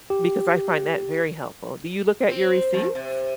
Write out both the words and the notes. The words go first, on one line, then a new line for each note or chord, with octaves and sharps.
Because I find that very helpful. Do you look at your receipts?
G4
C4
F2
C3